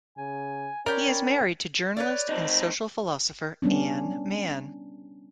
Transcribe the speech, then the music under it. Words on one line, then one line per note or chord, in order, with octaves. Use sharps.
He is married to journalist and social philosopher Anne Manne.
C#3 G#5
C#4 A#4 C#5 D5 G5 B5
B4 C#5 D5
C4 D#4
G3 B3 C#4 D4